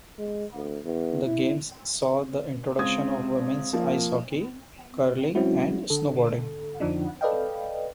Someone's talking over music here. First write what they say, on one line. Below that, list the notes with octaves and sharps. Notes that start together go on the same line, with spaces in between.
The Games saw the introduction of women's ice hockey, curling and snowboarding.
G#3
D2
E2
E4
C#2 C4 D#6 G#6
F3 A#3
F#3 G#3 C4 C#4 E4 F#4
D3 A4
F2 D3 F3 D4 D#4
A4 B4 D5 D#5 F5 G5